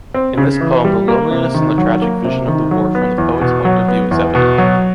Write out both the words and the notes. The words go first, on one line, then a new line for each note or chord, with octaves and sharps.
In this poem the loneliness and the tragic vision of the war from the poet’s point of view is evident.
C4
C#3
E3
G3
A#3
C3
D#3
F#3
A#3
C3
D#3
F#3
B3
E2
B2
F#3
B3
E2
B2
F#3